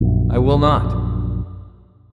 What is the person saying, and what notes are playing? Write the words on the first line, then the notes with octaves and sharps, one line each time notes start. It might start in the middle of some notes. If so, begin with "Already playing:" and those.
"I will not."
A#1 F#2